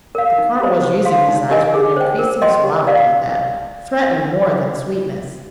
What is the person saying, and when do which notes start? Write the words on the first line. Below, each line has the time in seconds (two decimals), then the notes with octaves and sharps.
The colonel was using his eyes with an increasing suavity that threatened more than sweetness.
0.15 A#4 F5
0.38 D#4
0.60 G4 C5
0.83 C5
1.05 F5 C6
1.29 D#4
1.51 G4 A#4 D#5 G#5
1.74 G#4
1.96 C5 G5
2.19 A#4
2.42 D#5 G5 C6
2.64 G4
2.87 D5 F5